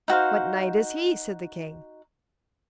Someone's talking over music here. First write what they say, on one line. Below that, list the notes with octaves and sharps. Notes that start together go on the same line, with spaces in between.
What knight is he? said the king.
D#4 F#4 C5 F5